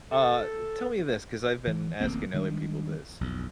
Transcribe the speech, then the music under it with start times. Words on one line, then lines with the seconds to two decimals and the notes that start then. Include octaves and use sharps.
Uh, tell me this, 'cause I've been asking other people this,
0.11 A4
1.67 E3
2.00 D1 A1 A#3 C4
2.34 D#3 G3 G#3 D4
3.21 B1 F2